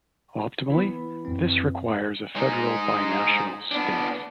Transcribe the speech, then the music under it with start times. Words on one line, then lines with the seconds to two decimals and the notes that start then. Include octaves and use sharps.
Optimally this requires a federal binational state.
0.70 E3 B3
1.25 F#2 C4
2.36 G#3 D#4
3.71 B3 D4